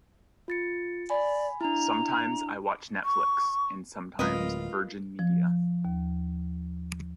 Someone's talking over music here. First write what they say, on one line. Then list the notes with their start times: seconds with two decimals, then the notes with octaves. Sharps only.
Sometimes I watch Netflix, and sometimes Virgin Media.
0.48 F4 A6 C#7
1.10 D5 G#5 B5
1.61 D4 E4 A#5
3.04 C#6
4.19 D1 F#3 G#3 C4 F4 A#4 B4 D#5
5.19 F3
5.85 D#2